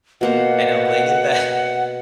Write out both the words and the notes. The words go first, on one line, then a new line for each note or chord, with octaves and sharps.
and I'm laying in bed
B2 A#3 C5 F#5